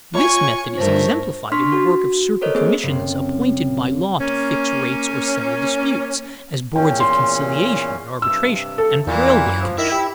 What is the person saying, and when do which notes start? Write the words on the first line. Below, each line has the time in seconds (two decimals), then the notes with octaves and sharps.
This method is exemplified in the work of certain commissions appointed by law to fix rates or settle disputes, as boards of conciliation and arbitration and railway commissions.
0.14 F4 C#5 G#5 C#6
0.77 G2 A3 A#4 C5
1.52 D4 C6 C#6 F6 B6
1.72 F#4
2.41 A4 A#4 C5 C#5 D#5
2.55 A#3 C4 G#4
2.83 F#1 C4
4.20 A#3 C#4
6.76 E2 A#2 C#4 G5
7.00 C6
8.22 G2 C3 E6
8.78 A4
9.07 E2 A#2 E3
9.46 F#2
9.62 F3
9.78 D#3 E4 E5
9.91 G4